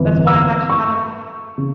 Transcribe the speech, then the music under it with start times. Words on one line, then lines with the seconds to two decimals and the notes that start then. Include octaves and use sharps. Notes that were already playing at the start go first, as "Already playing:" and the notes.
That's why I'm actually kind of
Already playing: G1 F2 E3
0.27 E6
0.70 C#6
1.58 C#3